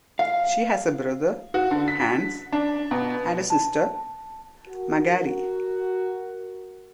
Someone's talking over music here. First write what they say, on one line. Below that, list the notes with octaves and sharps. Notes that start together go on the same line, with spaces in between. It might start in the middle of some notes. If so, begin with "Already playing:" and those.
She has a brother, Hans, and a sister, Magali.
F5
F#4
D3
B6
D4
B2
A5
F#4 A#4